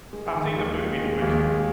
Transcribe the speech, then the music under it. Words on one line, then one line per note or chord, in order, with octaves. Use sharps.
I've seen the movie The Witcher.
G#3
D#3
D#2
G#3
G#3
D#2
G#3